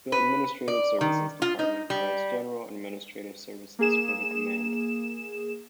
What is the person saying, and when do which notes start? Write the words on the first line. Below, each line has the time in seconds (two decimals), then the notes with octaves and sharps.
The Administrative Services Department provides general administrative services for the command.
0.12 B4
0.68 D5
1.01 D#3
1.42 F4
1.59 D#4
1.90 G3
3.79 A#3 G#4 E7